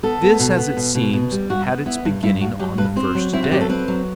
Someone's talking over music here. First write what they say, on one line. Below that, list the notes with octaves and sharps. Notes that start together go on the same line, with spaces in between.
This, as it seems, had its beginning on the first day.
B3 A4
B3
B2
B3
B2
B2
B2
G3
G2 F#4
B3
B3 E4
G2
G2 E4
G2 F#4
F#3 G4
G2 B4
C4 C5
F#3
C4 E4
F#4
F#3 G4
A4
C4 B4
F#3